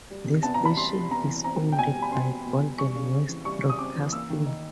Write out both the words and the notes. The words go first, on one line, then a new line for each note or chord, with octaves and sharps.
The station is owned by Golden West Broadcasting.
G3
C3
B3 A5
A#5
E3
B5
G3 C6
C3
B3 A#5
E3
C4 A#5
B2
G5
B2 G#5
G3
B5
C4 C6
B2
B2
G3
G3 C#6
C#3
C4
E3
G3 C#6
C#3
D#6
C4 D6
E3
A#3 E6
D#3
D#4